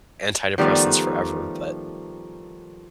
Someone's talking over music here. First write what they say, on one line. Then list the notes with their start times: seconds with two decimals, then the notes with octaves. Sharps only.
antidepressants forever, but,
0.58 D#3 F3 G3 A3 B3